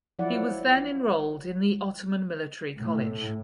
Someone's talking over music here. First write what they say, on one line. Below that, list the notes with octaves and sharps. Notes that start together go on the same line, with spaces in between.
He was then enrolled in the Ottoman Military College.
F3 F#3 E4 D5 F#5
A2